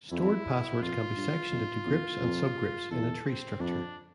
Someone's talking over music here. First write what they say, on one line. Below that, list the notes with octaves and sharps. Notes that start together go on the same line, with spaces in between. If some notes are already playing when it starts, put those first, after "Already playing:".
Stored passwords can be sectioned into groups and subgroups in a tree structure.
F2 E4
F2 F4
G2
F2
E2
F2
E2 A4
C4
F2 D4